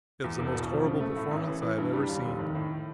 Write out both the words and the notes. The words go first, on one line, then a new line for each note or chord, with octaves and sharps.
It was the most horrible performance I have ever seen.
E2
E1
B2
F3
C#3
A3
A2
A1
E3
E3
G2
G3
D#2
F1
D#3
A2